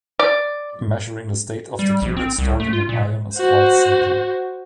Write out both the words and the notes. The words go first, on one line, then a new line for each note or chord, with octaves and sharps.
Measuring the state of the qubit stored in an ion is quite simple.
D5
G3
A#1
C4
C2
A3
F4
A#2
F#4 C5